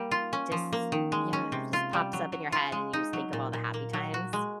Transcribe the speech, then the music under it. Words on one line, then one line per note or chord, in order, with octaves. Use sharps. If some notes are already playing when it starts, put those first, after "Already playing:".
just yeah, it just pops up in your head, and you just think of all the happy times.
Already playing: G3 A#3
F4
C#4
F3
A#3
D#3
G#3
C#4
C3
F4
G3
F#3
F#3
F4
G#3
D#4
F#3
A#2
A#2
A#3
F#3
F#4
G#3